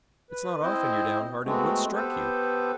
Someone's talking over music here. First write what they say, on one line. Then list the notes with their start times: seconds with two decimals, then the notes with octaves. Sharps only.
"It's not often you're downhearted. What's struck you?"
0.30 B4
0.62 C4 E4 C5 D#5
1.45 G#3 A3 B3 C4 F#4
1.94 B3 G4 A4 B4 C5